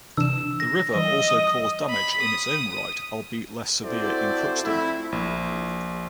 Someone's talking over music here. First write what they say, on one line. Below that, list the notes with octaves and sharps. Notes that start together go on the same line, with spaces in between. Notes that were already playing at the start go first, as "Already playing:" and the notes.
The river also caused damage in its own right, albeit less severe, in Crookston.
C3 E3 D4 E6 E7
A#6
E3 G3 D#5
B5
D#6
C4 E4 F#4 A4 C5 D5
F3 A3 C4 E4
A#1